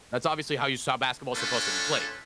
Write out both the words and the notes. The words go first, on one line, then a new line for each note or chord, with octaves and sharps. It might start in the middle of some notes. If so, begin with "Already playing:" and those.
That's obviously how you saw basketball supposed to be played.
A3 C#4 D4 F4 A4 B4